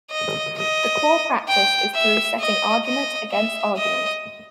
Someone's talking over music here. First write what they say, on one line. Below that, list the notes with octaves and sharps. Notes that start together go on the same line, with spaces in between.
The core practice is through setting argument against argument.
D#5
D#5
G5
E5
D#5
D#5
E5
D#5